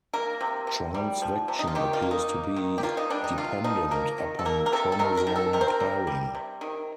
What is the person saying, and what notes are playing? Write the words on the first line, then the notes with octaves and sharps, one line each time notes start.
Transvection appears to be dependent upon chromosome pairing.
A#3 A#4
C3
C3
G3
F3
C3
D#4
F4
D#3 G4
F4
A#3
D#4
A#3
D#3
G4
A#3 F4
D#4
G3 D4
D#4
C3 F4
F3 D#4
A#3 A#4
D#3
A4
A#3 A#4
A#4
C3 A4
A4
D#3 A#4
A#4
D#3
A4
C3 A#4
C5
A#4
G3
G3
C3
D#3